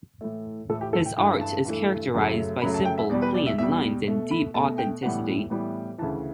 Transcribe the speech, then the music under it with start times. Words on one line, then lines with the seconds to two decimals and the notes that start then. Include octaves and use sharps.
His art is characterised by simple, clean lines, and deep authenticity.
0.21 A2 E3 A3
0.69 A2 E3 A3 A4
0.81 G4
0.93 A4
1.06 G5
1.17 G2 E3 A3 G5
1.41 A5
1.65 G2 E3 A3
2.14 F#2 C#3 F#3 A3
2.61 F#2 C#3 F#3 A3 B5
2.74 A5
2.85 G5
2.98 E5
3.09 E2 B2 G3 D5
3.22 B4
3.34 D5
3.46 E5
3.58 E2 B2 G3 E5
4.07 B2 A3
4.31 B5
4.54 B2 A3 A5
4.78 G5
5.03 A2 E3 G3 B3 F#5
5.50 A2 E3 G3 B3
5.98 E3 A5
6.02 D2 C#3